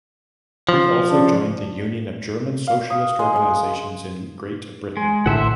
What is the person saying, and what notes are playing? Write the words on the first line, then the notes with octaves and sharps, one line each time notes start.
He also joined the Union of German Socialist Organisations in Great Britain.
F3
C#3 D4
F5
D#6
G#3
G#3
G#3
A#1 A2 D3 C5 E5 F#5